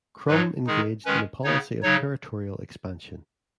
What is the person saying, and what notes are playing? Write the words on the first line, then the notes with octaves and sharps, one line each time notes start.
Krum engaged in a policy of territorial expansion.
G#2 F#3 D#4 B4
D#3 G#3 D#4 G#4
D#3 G#3 C#4 B4
C#3 B3 D#4 C#5
C#3 F#3 D#4 C#5